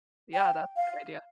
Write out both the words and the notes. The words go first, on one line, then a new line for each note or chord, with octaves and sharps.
Yeah, that's a good idea.
G5
F5